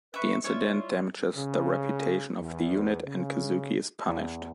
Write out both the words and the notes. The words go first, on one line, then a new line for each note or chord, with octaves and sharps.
The incident damages the reputation of the unit and Kazuki is punished.
B4 E5 C#6
G3 E4 F4 C#5 E5
C#3
E2
C#3
E2